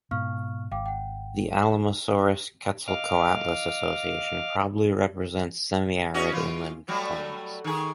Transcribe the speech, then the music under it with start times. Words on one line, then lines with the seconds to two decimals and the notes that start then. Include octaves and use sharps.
The "Alamosaurus"-"Quetzalcoatlus" association probably represents semi-arid inland plains.
0.11 G#2 B2 F5 C#6 F6
0.71 G#1 F5 G5 D6
0.86 F#5 G5
1.53 E7
2.88 D#5 F5 D6 F6
6.14 C#4 F#4 D#5
6.32 E3 F4
6.88 F#3 G3 A3
7.64 D#3 G#4